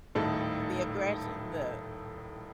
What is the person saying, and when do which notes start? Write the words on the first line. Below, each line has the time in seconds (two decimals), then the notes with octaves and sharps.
The aggression the
0.15 D#1 A2 D#3 A3 A4